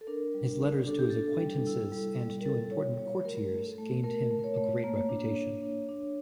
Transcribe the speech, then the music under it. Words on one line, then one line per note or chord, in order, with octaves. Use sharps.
His letters to his acquaintances and to important courtiers gained him a great reputation.
A4
D4 A#4
G3
D4
D4 A4
G4
D4 A4
G3
E4
G3
G3
A#4
E4 A4
G3 C#5
G3 C#5
A3 A#4
A3
A4
A3
A3 A#4
A3
A#4
C#5
A3
A#3
D4
A#3
D4
D4